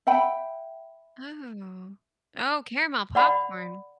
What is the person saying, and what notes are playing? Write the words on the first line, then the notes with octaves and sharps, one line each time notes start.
Oh. Oh, caramel popcorn.
E5 F#5 G5 B5
D5 F#5 B5